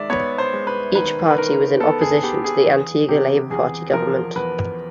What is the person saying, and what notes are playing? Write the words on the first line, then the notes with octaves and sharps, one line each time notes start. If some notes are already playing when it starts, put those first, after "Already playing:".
Each party was in opposition to the Antigua Labour Party government.
Already playing: D#3 G#3 D5 E5
B3 C#5
C5
G#3
B4
D#3 B4
B4
D#3 A#4
B3 A4
G#4
B3 G4
G#4
E2 G#4
C3 G4
E2 G#4
F3 A#4
E2 B4